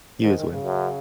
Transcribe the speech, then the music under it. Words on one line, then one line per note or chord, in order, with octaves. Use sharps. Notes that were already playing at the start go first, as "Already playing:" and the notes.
You as well.
G#2 D#3
D#3
C#3
F#2